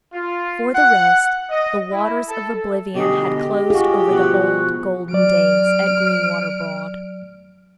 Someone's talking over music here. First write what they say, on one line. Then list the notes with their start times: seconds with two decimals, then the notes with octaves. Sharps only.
For the rest, the waters of oblivion had closed over the old golden days at Greenwater Broad.
0.13 F4
0.75 F#5
1.51 D#5
1.93 E4
2.29 A4
2.95 B2 D3 G4 G#4 D#5
3.36 G4
3.70 F4 F#4 G#4
4.10 B2 F3 F#4
5.13 F#3 D5 F6 D7